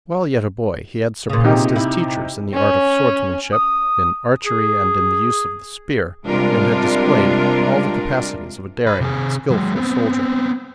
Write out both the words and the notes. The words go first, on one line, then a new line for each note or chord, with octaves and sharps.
While yet a boy he had surpassed his teachers in the art of swordsmanship, in archery, and in the use of the spear, and had displayed all the capacities of a daring and skillful soldier.
A#2 C#3
C3 D#4 G4
E4
C#4
D#6
G#4
C3 G3 G#3 D4 F4 A#4
C5 B5
C3 G#4
F#3 G#3
B3 C4